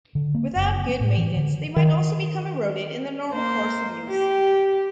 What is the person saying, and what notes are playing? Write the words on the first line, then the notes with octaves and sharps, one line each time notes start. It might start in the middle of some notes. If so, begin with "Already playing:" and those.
Without good maintenance, they might also become eroded in the normal course of use.
D3
A#3
F#1
B3
A2
E3
D3
D#3
A#3 C5
G4